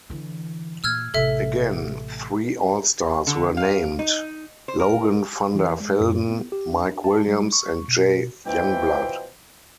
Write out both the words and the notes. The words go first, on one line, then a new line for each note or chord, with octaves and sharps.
Again, three all-stars were named, Logan Vander Velden, Mike Williams, and Jay Youngblood.
D3 E3
A#2 E6 F6 G#6
A1 C3 A4 E5
D3
F5
D#4
C5
A#4
E3
G#3
F#2
B3
G4
D4
A5
G3
C#6
B2
B2 E3 F3 G5